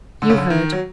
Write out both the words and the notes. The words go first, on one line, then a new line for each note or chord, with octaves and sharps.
You heard.
D3
C#3
D3
D#3
F#3